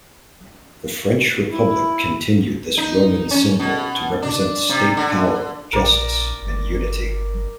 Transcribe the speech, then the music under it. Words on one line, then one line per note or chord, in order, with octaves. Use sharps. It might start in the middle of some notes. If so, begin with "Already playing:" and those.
The French Republic continued this Roman symbol to represent state power, justice, and unity.
E4
D#4
C#4
B2
D4
C3
D3
A#1 A#4 D5
G1